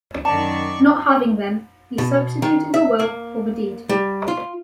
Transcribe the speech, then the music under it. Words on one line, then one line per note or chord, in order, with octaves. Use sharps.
Not having them, he substituted the will for the deed.
F#2 D#3 D5 A5 C#6
B2
D#3
E5
A#3
G3
F4